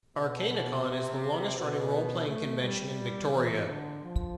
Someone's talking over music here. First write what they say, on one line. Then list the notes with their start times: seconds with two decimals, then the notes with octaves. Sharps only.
Arcanacon is the longest running role-playing convention in Victoria.
0.17 B2
0.87 C3
1.57 B2
2.27 A3
2.62 G3
3.33 E3
3.68 D3
4.03 F3